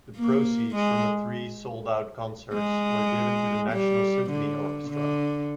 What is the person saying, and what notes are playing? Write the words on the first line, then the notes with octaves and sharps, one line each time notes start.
The proceeds from the three sold-out concerts were given to the National Symphony Orchestra.
A#3
G#3
G#3
G3
D3
D3